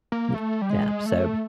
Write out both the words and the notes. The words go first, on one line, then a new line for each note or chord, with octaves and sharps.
Y yeah. So,
A#3
A3
G3
G#3
A3